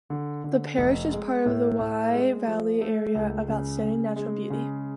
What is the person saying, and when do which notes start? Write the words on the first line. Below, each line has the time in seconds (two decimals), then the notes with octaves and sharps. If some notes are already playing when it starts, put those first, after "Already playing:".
The parish is part of the Wye Valley Area of Outstanding Natural Beauty.
0.10 D3
0.44 D3
0.78 F1
1.12 G#3
1.46 A2
1.79 A2
2.13 G#3
2.47 F3
2.81 A3
3.15 C#2
3.48 C#3
3.82 C#3
4.16 G#3
4.50 C#3